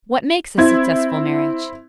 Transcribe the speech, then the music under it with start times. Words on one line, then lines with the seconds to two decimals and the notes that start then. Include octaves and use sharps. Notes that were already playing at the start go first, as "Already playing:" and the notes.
What makes a successful marriage?
0.58 C4 E4 G#6